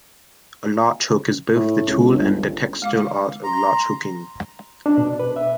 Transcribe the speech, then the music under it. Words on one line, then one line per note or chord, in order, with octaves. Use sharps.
A latch hook is both the tool and the textile art of latch hooking.
A2
C#2
G1
G#3 F5 D6
A#5 C6
D4
B2
B4
E5